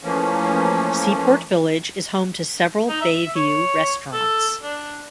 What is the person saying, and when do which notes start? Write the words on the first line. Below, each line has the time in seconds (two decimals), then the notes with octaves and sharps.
Seaport Village is home to several bay-view restaurants.
0.03 E3 F3 A3 A#3 C#4
2.89 D#4
3.01 E5
3.36 C#5
4.13 A4
4.63 D4